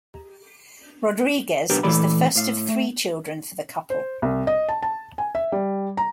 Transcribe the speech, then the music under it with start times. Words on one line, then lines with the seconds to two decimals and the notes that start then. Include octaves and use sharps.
Rodriguez is the first of three children for the couple.
1.70 B1 B3 D4 G4 A#4
1.83 A#2 E3 A3 D5 B5
2.36 A2 F5
2.68 A3
3.90 C5
4.22 C2
4.47 D#5
4.69 A5
4.82 A5
5.18 G#5
5.35 E5
5.52 G3
5.97 A#5